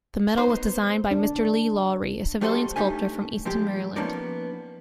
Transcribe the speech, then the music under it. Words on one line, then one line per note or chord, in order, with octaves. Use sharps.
The medal was designed by Mr. Lee Lawrie, a civilian sculptor from Easton, Maryland.
B3 D#4 C5
D4
G3 A3 F#4 A4 C5 D#5
G2 F3 A3 D#4 G4 G#5
A#2 F3 G#3 G4
F3 A#3 B3 C#4 D#4 D5